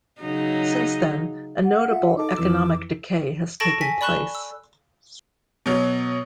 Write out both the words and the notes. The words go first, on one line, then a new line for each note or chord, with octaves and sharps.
Since then, a notable economic decay has taken place.
C#3 F#3 D#4
F#5
F4 E5
D#4 A4 D6
F2 E3 E6
A4 A5 C#6 A6 A#6 D7
G#5 B6
D5 B5 C#6 F#6 E7 G7
E6
B2 F#3